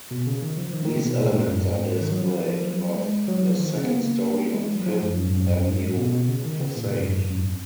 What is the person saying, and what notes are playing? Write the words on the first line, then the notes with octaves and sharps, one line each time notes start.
These elements are displayed above the second story on Fifth Avenue facade.
B2
C#3
D#3
F3
D#3
D#3
C#3
B2
A#2
G#2
F#2
G#2
D#3
F#3
F3
F3
F#3
G#3
F#3
F#3
F3
D#3
C#3
B3
A#3
G#3
F#3
F3
F#2
F#2
G#2
F#2
F2
F#2
G#2
B2
B2
C#3
D#3
C#3
A#2
G#2
F#2
F#2
G#2
F#2
F2